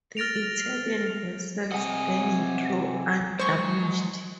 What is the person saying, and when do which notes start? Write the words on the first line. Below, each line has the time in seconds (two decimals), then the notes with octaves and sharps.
The Italian vessels then withdrew undamaged.
0.17 F6 A6 A#6 D7 F7
1.72 C3 D#5 F#5 G#5
3.39 F#3 G#3 C5 C#6